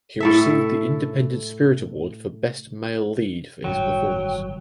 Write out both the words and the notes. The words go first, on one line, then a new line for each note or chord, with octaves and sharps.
He received the Independent Spirit Award for Best Male Lead for his performance.
A2 A4 E5
G1 A2 D#3 F#3 G5